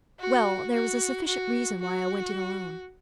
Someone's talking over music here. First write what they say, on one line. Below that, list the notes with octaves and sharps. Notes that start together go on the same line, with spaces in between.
"Well, there was a sufficient reason why I went in alone."
F#4
F#4
F#4
F#4